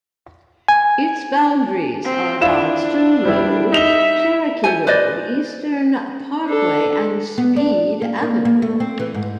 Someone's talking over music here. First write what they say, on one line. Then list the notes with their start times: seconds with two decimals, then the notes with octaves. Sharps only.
Its boundaries are Bardstown Road, Cherokee Road, Eastern Parkway and Speed Avenue.
0.68 G#5
2.04 C4
2.41 D4 E4 F4 E7
3.25 G3 E4
3.72 D#4 E5 F7 G7
4.64 A4 C5 G#5
4.87 B4 C5 D5 D#5
6.45 D4 A4
7.38 B3
7.56 D4
8.02 A#3
8.22 A#3
8.45 A#3
8.62 A3
8.80 C4
8.99 E3
9.14 G#2